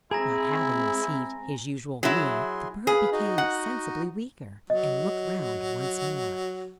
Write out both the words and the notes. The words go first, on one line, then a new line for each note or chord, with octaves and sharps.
Not having received his usual meal the bird became sensibly weaker, and looked round once more.
G#3 C4 E4 G#4 G#5 A#5 A#6
F#3 E4 G#4 C6
G#4 B4 F5 B5
D#4 F#4 D#5
F#5
F#3 D#5